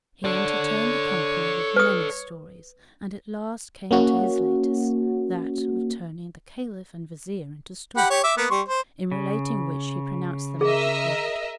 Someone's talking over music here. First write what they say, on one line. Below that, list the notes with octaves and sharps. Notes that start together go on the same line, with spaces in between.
He entertained the company with many stories, and at last came to his latest--that of turning the Caliph and Vizier into storks--in relating which he pronounced the magic word.
A4 C#5 D5
B4 D#6
A#3 C#4 F#4
G4 F#5 B5
G4 C#5
E5 D6
A#3 B3
G3 C6 C#6
C5
C#3
G#4 A#4 D#5 E5